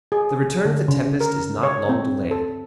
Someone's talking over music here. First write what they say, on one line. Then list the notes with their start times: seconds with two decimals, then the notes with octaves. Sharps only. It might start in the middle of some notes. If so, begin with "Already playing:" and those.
The return of the tempest is not long delayed.
0.12 G#4
0.65 D3
0.88 C#3
1.21 A#4
1.63 C#5
1.89 C4
2.31 A4